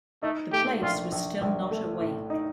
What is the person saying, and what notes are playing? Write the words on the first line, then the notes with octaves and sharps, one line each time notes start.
The place was still not awake.
A3 D#4
A3 G4
A#1 F4
A#1
A#1
A3
A2
D#4